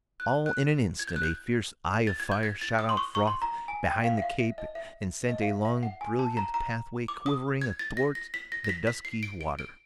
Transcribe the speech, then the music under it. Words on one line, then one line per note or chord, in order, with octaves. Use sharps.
All in an instant a fierce eye of fire shot out from behind the cape and sent a long brilliant pathway quivering athwart the dusky water.
F#6
F#6
G#6
G6
F#6
G6
A6
G#6
G6
G#6
A6
D#6
C6
C#6
C#6
C6
A#5
G#5
G5
F5
E5
F5
E5
D#5
E5
D#5
F5
E5
E5
F#5
G#5
A5
A#5
A#5
D6
D#6
G#6
A6
A#6
A#6
B6
A#6
A#6
B6
B6
C7
D7
D7
D7